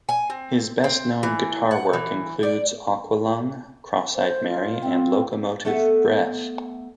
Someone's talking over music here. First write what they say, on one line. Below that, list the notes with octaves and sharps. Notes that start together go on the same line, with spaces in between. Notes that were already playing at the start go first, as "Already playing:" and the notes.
His best-known guitar work includes "Aqualung", "Cross-Eyed Mary", and "Locomotive Breath".
G#5
C4
C4
E3
F#5
E3
D5
C5
F4
C4
A3 B3 A4 E5 F#5